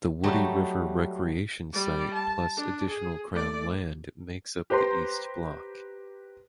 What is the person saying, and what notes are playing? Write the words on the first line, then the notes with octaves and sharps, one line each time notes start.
The Woody River Recreation Site plus additional Crown land makes up the East Block.
F#3 G3 A3 D#4
G3 D5
A5
D4
G#4
A3 D5
G4 B4 C5 A#5 C6